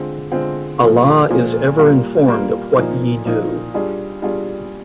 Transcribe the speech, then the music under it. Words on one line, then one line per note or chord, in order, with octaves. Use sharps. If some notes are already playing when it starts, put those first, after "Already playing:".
Allah is ever Informed of what ye do.
Already playing: D3 G#3 C4 F4
D3 G#3 C4 F4
A#2 F3 G#3
A#2 F3 G#3
G3 A#3 F4
G3 A#3 F4
A#2 F3 A#3 D#4
A#2 F3 A#3 D#4
G3 D4 F4 G#4
G3 D4 F4 G#4